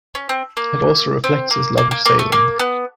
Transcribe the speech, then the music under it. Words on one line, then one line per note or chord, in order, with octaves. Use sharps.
It also reflects his love of sailing.
C#4
C4
A#3
C4
A#3
A#3
A#3
A#3
A3
A#3
B3